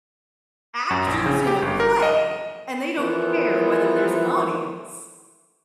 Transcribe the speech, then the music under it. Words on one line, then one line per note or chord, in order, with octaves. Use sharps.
actors in a play, and they don't care whether there's an audience.
F#2
A#1
C#3
G4
G1
A#4
D#5
E3 F3 B3 E4 A4 A#4